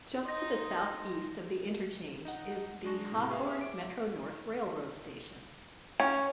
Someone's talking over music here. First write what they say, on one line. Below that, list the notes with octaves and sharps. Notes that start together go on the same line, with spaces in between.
Just to the southeast of the interchange is the Hawthorne Metro-North Railroad station.
D#4 D#5 C6 A#6
D#4 F#5
G#3 D4 C#6 A#6
A2 C3
B3 G4 G#4 B4 E5 F5
E5 D6 D7
C#4